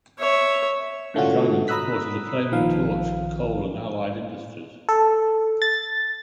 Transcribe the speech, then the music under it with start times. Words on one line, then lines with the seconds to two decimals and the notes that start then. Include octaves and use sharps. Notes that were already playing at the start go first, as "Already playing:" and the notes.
The dragon supported a flaming torch for coal and allied industries.
0.19 C#5 E5
1.14 A2 D3 A3 C#4 F4 F#4
1.68 A#5 B5 D#6 E6 F#6 B6
2.52 A#1 D#3 F3 F5
4.89 A4
5.62 A6